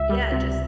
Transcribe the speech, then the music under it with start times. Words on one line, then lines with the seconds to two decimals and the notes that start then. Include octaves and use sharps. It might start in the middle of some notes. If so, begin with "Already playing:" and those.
yeah, just
Already playing: C#2 E5
0.09 G3
0.32 C3